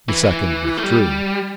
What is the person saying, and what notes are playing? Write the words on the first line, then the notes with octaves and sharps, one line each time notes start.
The second withdrew.
E3
E3
A3
G3